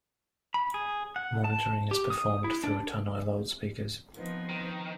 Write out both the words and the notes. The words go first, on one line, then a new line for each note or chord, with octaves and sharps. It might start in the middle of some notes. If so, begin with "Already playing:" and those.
Monitoring is performed through Tannoy loudspeakers.
B5
G#4
F#5
A5
G4
D#6
E4
D4
F3 B3 C4 D#4 A#4 B4
D#3